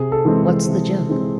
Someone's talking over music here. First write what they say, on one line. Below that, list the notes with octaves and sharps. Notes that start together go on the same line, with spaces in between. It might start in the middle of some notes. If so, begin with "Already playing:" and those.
What's the joke?
Already playing: C3 G#4
A4
E3 G#3 C4
C3
E3 G#3 C4